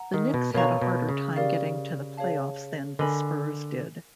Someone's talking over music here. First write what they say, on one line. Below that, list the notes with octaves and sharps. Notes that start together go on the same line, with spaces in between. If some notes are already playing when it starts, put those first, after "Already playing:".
The Knicks had a harder time getting to the playoffs than the Spurs did.
Already playing: F#5 A#5
D#3
B2
B2 A#4 C#5 F5 A#5 C#6
B2
C#3
G4 A#4 D5 F5
G#4 C#5 F5 A5
D3 A#4 D#5 G#5 B5